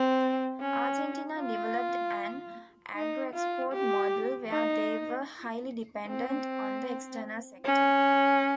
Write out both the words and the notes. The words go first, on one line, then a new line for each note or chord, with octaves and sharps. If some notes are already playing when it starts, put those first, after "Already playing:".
Argentina developed an agro-export model where they were highly dependent on the external sector.
Already playing: C4
C#4
F4
D#4
F4
G4
D#4
C4
C#4